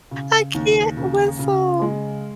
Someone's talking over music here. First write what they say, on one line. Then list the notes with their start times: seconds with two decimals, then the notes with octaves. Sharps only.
I can't whistle.
0.11 C#3
0.54 D#2
0.97 C#3
1.39 C#3
1.82 G#3